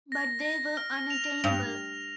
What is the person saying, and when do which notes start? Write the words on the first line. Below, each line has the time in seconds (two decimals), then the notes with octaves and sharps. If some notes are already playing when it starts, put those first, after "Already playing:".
But they were unattainable.
0.12 A#6
0.45 A#6
0.77 F6
1.10 F7
1.44 G2 F7